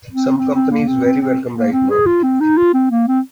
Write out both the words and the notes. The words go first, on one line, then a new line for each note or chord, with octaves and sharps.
Some company is very welcome right now.
C4
C4
C4
A#3
C4
C4
C4
A#3
C4
G#4
F4
C4
D#4
F4
C4
A#3
C4